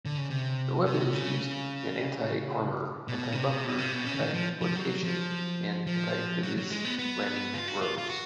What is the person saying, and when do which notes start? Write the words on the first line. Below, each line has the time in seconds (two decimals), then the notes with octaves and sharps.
The weapon is used in anti-armor, anti-bunker, anti-fortification and anti-amphibious landing roles.
0.05 D3
0.18 C#3
0.30 C3
0.86 C3
1.13 C#3
3.08 B2
3.32 C#3
3.36 C3
3.64 B2
3.78 C3
3.92 B2
4.06 C#3
4.20 D#3
4.33 F3
4.61 F3
4.75 F#3
5.03 F3
5.87 F3
6.43 F#3
6.57 F#3
6.70 G#3
6.85 B3
6.98 B3
7.54 F4
7.68 F#4
7.82 F4
7.98 F4
8.09 F#4